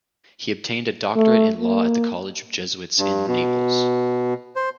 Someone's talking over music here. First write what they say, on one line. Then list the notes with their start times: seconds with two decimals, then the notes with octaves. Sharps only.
He obtained a doctorate in law at the College of Jesuits in Naples.
1.16 A3
1.60 A#3
2.98 G2
3.28 B2
4.56 C5